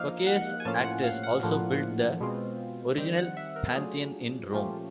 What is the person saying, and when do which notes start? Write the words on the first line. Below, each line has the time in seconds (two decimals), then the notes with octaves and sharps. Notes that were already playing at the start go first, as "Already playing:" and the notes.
Cocceius Auctus also built the original Pantheon in Rome.
Already playing: F3 A#3 D#4 F5
0.27 F#5
0.60 G#5
0.65 A2 F3 A#3 C#4 F4 A5
0.84 F#5
1.04 F5
1.23 F#5
1.43 A2 F3 A#3 D4 F4
2.20 B2 G#3 C4 F4
2.97 D#3 G3 C4 G5
3.18 F#5
3.37 E5
3.56 A#4
3.75 F#3 A3 D4 F4 G#4
4.53 A#2 F3 A3 C#4 F4 G4